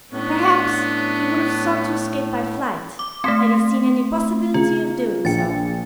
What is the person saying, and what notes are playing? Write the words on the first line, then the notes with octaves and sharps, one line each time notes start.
Perhaps he would have sought to escape by flight had he seen any possibility of doing so.
A2 B3 C#4 D4
D6
A3 C4 C6 B6
C#3 F4
A#1 G5 A6 C#7